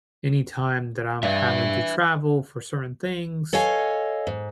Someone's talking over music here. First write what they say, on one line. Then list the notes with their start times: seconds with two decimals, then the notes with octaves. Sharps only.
any time that I'm having to travel for certain things,
1.23 G2 B4 E5
3.53 A4 C#5 D#5 F5 G#5
4.27 G#2